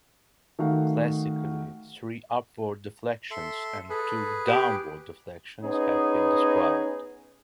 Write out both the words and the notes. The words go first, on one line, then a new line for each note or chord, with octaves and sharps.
Classically three upward deflections and two downward deflections have been described.
D#3 A3 F#4 F5 F#5
A4 E5 C6
G#4 A4 B4
G4
B3 C#4 D#4 G#4